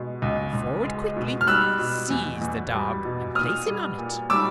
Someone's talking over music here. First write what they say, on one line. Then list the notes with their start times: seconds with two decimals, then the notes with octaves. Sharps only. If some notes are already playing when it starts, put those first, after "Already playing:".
Go forward quickly, seize the dog and place him on it.
Already playing: B2 G#3
0.22 C#2
0.53 C#2
0.85 G#3
1.16 B2
1.41 F6
1.47 G3 E6 F#6
1.79 B2
2.10 E2
2.42 E2
2.73 G3
3.05 B2
3.35 A#2 D#6 F6
3.67 G3
3.98 A#2
4.30 G3 D6 E6